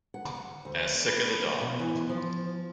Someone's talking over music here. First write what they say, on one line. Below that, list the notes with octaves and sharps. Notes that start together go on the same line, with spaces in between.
As sick as a dog.
F#5
D2
B4
B2
E3
F3